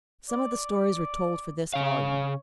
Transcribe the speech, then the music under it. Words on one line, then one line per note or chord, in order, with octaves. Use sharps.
Some of the stories were told for this volume.
D5
C#3 C#5 F5